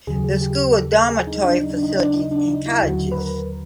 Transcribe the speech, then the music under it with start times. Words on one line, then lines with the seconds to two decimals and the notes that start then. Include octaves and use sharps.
The school has dormitory facilities in cottages.
0.07 D#2 C#3 F#3 G#4
0.41 G4
0.76 A4
0.92 A#4
1.10 G#4
1.27 D#4
1.44 D4
1.58 D#4
1.70 D4
1.83 D#4
1.96 D4
2.14 D#4
2.31 D4
2.47 D#4
2.66 E4
2.82 D#2 D3 F#3 F#4
3.12 B4
3.18 A#4